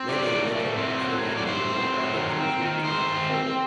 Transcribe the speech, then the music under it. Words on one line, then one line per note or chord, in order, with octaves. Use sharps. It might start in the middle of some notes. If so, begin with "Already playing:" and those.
Many letterboxers do not bother to keep count at all.
Already playing: C4
F#3 D5
A2
A3
C4
F#3
A2
D5
A3 C5
C4
F#3
D#3
C4
D#3
A3 C5
D#3
C4